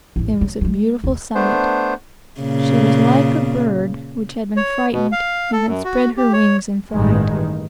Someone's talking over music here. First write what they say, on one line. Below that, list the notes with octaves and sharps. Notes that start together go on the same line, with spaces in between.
It was a beautiful sight. She was like a bird which had been frightened and had spread her wings in flight.
A1 E2
F#3
G#3 A3
D#2 C#3
A3 B3 D4 C5
A#2 C#3
C#5
B2
F5
A4
F#2
F#4
G4
C#5
A1 G2 D#3 G#3